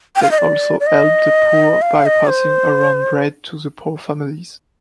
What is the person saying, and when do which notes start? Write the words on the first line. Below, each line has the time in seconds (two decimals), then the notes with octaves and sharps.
They also helped the poor by passing around bread to the poor families.
0.16 G5
0.23 F5
0.31 D#5
0.38 D5
0.80 D5
0.87 D#5
1.82 F5
2.06 D#5
2.30 C5